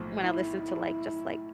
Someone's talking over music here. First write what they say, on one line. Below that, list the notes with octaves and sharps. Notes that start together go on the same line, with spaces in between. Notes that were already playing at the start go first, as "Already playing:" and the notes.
when I listen to, like, just, like,
Already playing: B1 A2 F3
E4
E4